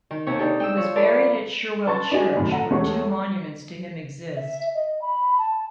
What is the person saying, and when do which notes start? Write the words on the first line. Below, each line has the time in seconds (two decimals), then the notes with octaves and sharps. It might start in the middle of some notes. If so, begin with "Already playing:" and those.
He was buried at Shirwell Church, where two monuments to him exist.
0.11 D#3
0.26 D#2 C3 C#5
0.39 D4 D#4 G4 A4
0.60 G5 E6
0.76 F3 C#5
0.95 A#4 D5 F5 A5 B5
1.87 B4 A5 C6 C#6 A6
2.11 D4 E4 F#4 G4 D#5 G#5
2.36 F#2 A2 C3 D#3
2.50 A4 F#5 A#5
2.70 E2 G#3 A3 G4 C#5 C#6
4.36 E5
4.75 D#5
5.02 B5
5.38 A5